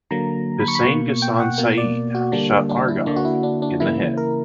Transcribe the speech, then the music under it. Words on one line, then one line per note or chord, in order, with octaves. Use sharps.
Hussein Ghassan Said shot Argov in the head.
D3 F#3 A#3 A#5
B5
C#6
B5
B2 A#3 C#6
G5
F#5
B2 A#3
D5
F#4
D3 G3 A#3 D4
D4
E4
D3 A#3 D4
F#4
E4
D4
D4
C#3 E3 A#3 E4
A#4